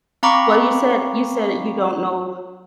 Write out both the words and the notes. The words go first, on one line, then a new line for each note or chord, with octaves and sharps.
Well, you said you said you don't know
C4 F5 A#5 B5 C#6 D6